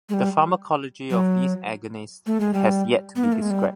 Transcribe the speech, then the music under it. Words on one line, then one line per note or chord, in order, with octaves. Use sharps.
The pharmacology of these agonists has yet to be described.
G#3
G3
F#3
A3
G#3
G3
B3
A#3
A3
G#3
G3